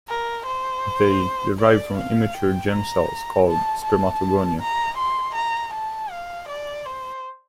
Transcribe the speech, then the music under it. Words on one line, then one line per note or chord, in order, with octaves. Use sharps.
They derive from immature germ cells called spermatogonia.
A#4
C5
D5
F5
G5
A#5
A5
A5
A#5
C6
A#5
A5
F5
D5
C5